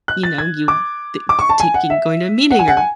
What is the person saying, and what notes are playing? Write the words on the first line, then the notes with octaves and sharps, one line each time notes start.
”you know, you ta taking, going to a meeting or“
F#6
A6
G#6
D6
D6
C#6
A5
G#5
F#5
E5
F#5
G#5
F#5
G#5